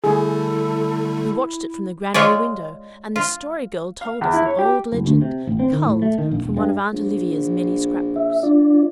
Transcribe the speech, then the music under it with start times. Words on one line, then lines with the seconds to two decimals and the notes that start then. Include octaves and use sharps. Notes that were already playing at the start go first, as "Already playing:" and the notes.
We watched it from the granary window, and the Story Girl told us an old legend, culled from one of Aunt Olivia's many scrapbooks.
0.04 D3 G3 A3 E4 G#4 A4
2.14 G#3 F4 C#5 D5
3.16 F4
4.01 F5
4.21 E2
4.33 E4
4.46 C#5
4.59 G4
4.92 F#1
5.06 D2
5.22 C3
5.47 A1
5.60 C4
5.72 D#3
5.85 A2
6.02 A3
6.18 D#3
6.31 A#1
6.43 E1
6.57 G2
6.92 A#1
8.16 E5
8.43 D4 F4 D5